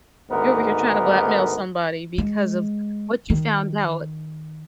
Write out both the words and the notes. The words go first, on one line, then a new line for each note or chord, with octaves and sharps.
You're over here trying to blackmail somebody because of what you found out.
D2 G#2 D#3 B3 A#4
G#3
D#3